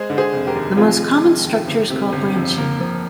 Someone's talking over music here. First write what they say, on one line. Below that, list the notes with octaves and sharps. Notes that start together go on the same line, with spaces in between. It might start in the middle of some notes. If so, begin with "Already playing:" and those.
The most common structure is called branching.
Already playing: G#3 G#4 C5
D3
G#4 C5
F1
G4 A#4
D#2
F2 F4 G#4
G#3
F2
D#3
G1
C3
G1
F2
A#3
F3